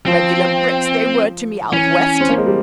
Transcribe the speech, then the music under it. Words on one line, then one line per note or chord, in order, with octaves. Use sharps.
Regular bricks they were to me out West!
F3 C4
E3 C#4
C4
A#3
G#3
G3